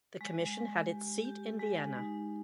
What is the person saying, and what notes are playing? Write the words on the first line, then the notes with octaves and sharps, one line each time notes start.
The commission had its seat in Vienna.
G#3
G#3
G4
G4
G#3
D#4